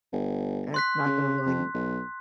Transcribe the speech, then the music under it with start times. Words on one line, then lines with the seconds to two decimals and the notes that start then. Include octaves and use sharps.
that's not gonna really m
0.13 G1
0.74 C6 F#6 B6
1.06 C#3
1.46 F2
1.74 B1